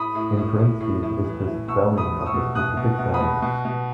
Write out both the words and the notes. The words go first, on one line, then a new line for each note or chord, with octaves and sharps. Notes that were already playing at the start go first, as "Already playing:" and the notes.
In parentheses is the spelling of the specific sound.
Already playing: A2 B5 D#6
A2
A2
A2
A2
A2
E3
E3
B2 C#6 E6
B2
B5 D#6
B2
D#6
C#6 E6
B2
B2 D#6 F#6
B2
B2
B5 D#6
B2
B2
B2